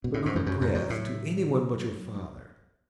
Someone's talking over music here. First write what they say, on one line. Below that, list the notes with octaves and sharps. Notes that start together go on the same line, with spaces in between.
'But not a breath to anyone but your father.
B2 C#4
A2
G#2
F#2
F#2
F#2
F#2
A2 F#3